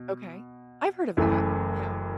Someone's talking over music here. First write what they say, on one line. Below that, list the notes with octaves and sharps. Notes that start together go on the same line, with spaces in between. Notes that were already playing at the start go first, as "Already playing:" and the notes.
Okay. I've heard of that. Yeah.
Already playing: B2
F#1 F#2 E3 A3 E4